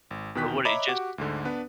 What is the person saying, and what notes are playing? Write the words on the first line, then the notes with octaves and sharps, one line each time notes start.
but would it just
G#1
E2 B2 D#3 G5 F#6 B6
C#5 D#5 E5 A#5 B5 D6
F#4 G4 F#5 D6
D2 G#2 D3
B3 D4 B4